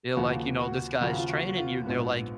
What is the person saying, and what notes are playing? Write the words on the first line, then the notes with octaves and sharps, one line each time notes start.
they're like, "You know, this guy's training you." They're like,
D#2 C#3 F3 A#3 F#4
F#4
D#2 C#3 F3 A#3 F#4
F4
F#4
F#4
F4
A#1 G#2 F3 B3